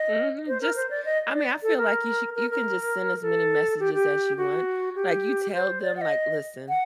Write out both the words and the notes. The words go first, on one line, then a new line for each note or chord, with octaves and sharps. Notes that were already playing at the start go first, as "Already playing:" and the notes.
Mhm. Just, I mean, I feel like you should you can just send as many messages as you want. Like, you tell them, like, "Listen,
Already playing: D#5
C5
A#4
C5
D5
D#5
D5
A4
A#4
A#4
A#4
A4
G4
G4
F#4
G4
C5
D5
F#5
D#5
F#5